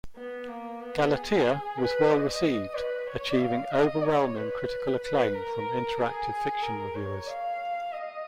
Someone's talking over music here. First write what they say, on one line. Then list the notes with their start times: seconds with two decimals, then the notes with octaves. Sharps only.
"Galatea" was well received, achieving overwhelming critical acclaim from interactive fiction reviewers.
0.16 B3
0.48 A#3
0.80 B3
1.13 G#4
1.78 B4
2.10 D#5
2.75 B4
3.07 C#5
3.39 F5
3.72 D#5
4.04 C#5
4.36 B4
5.01 B4
5.34 A#4
5.98 G#4
6.62 A#4
6.95 C#5
7.28 F5
7.92 D#5